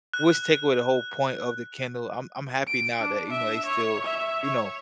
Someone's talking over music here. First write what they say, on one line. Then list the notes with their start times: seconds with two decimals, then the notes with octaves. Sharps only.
which take away the whole point of the Kindle; I'm I'm happy now that, you know, they still, you know,
0.13 F#6
2.67 D7
3.01 D4
3.30 E5
3.66 C#5
4.05 E5
4.43 C#5